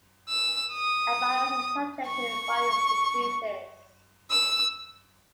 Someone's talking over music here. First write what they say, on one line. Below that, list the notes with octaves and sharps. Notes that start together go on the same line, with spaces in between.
Abalones are subject to various diseases.
E6
D#6
C#6
E6